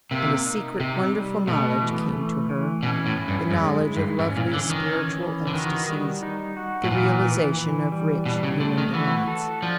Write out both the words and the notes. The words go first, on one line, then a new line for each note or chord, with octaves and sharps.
And a secret, wonderful knowledge came to her--the knowledge of lovely spiritual ecstasies, the realization of rich human delights.
C3 A#3
D#4
C3 D#4
G3
B2 A3
E3
A3
E3
B2 C#4
A2
E4
G2
F#2 G#3
E4
G2
G#2 C#4
A#2
D3 E3
D#3
C#4
E3
D3
D#3 F#4
G3
D#4
F#4
A2
A#2 E3
E3
E3
G3
B2 D4
C#3
D3 A3
D#3
E3 F#4
A4
F3 D4